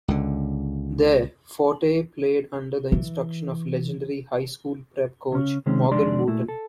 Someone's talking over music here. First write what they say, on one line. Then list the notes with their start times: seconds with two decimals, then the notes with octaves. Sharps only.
There, Forte played under the instruction of legendary high school prep coach Morgan Wootten.
0.08 C#2 D3
2.92 E3
5.32 C#3 C#4
5.66 C3 D#3 G#3 C4 C#4
5.91 F2 D#3 G#3 D4 D5 C6
6.27 A#2 A3 E4
6.48 A4